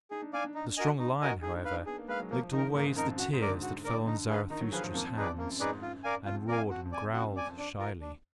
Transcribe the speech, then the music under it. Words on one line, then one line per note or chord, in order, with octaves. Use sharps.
The strong lion, however, licked always the tears that fell on Zarathustra's hands, and roared and growled shyly.
D#4 G#4
D4
D4 D5 F5 G#5
D4
D#4
F#4 A#4 D#5 G#5
D#4
F#4 A#4 D#5 G#5
D#4 G#4
D4
D#4 B4 F5
D4
B3 G#4
A#3
G#3 B4 F5
F#3
F3 A#3
F3
D#3 D#4 A#4
D#3
G#2 A#3
F#2
F2 D#4 A#4
F#2
F#2 F#4
G#2
A#4 D5
D3
F#4
A#4 D5
D3 D#4
G#4 B4 F5
D#3 D#4
F#3
F3 G#4 B4 F5
G#2
F2 A#3
D#4 G#4 B4 D5
F#2 A#3
F#2
G#2 D#4 G#4 B4 D5
F#2
F#2 F4
A#4 D5 F5 G#5
F2 F4
A#4 D5 F5 G#5
F2 F#4
F2
D5 G#5
F#2 F#4
F#2
F2 D5 G#5
F2
D4
F4 A#4
D4